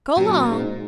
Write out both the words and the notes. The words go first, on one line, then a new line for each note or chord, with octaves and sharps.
Go 'long.
F#2 A#2
G#2